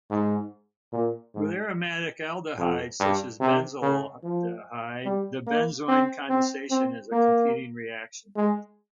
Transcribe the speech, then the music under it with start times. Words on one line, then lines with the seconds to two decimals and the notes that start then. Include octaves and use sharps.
With aromatic aldehydes such as benzaldehyde, the benzoin condensation is a competing reaction.
0.10 G#2
0.93 A#2
1.35 G#2
2.59 F2
3.00 G2
3.41 C3
3.82 C#3
4.24 F3
5.05 G3
5.47 A#3
5.88 C4
6.30 C4
6.71 C4
7.12 A#3
8.36 G#3